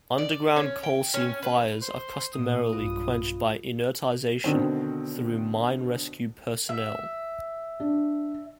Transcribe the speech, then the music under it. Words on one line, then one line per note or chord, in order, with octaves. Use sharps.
Underground coal seam fires are customarily quenched by inertization through mine rescue personnel.
D5
C#4
G5
C#4
B4
C5
A#2 A#3 D#6
B1 G2 F4
B2 D3 D#3 C4
E5
D4